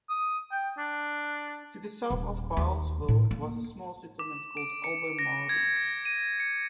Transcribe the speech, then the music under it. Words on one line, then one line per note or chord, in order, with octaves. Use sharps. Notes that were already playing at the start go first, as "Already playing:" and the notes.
To the south of Bilesville was a small settlement called Albemarle.
D#6
G5
D4
D#1
D#2
A2
A#3
D6
D7
C#7
A#6
G#6
A#6
D#7
C#7